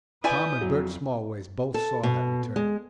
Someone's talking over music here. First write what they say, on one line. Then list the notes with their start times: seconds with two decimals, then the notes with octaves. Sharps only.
Tom and Bert Smallways both saw that return.
0.24 E4 B4 D5 G#5 D#6 G6
0.61 F2 F#3
1.74 A4
2.03 B2
2.56 G#3